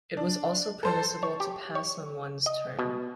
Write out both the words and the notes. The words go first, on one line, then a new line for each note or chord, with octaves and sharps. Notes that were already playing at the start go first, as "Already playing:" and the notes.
It was also permissible to pass on one's turn.
D4
A4 C5 A5
C#5
G4
C#5
D#5
B2